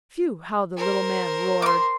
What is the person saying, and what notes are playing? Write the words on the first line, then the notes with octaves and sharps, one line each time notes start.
Phew! how the little man roared.
A#4 C5
C6 D6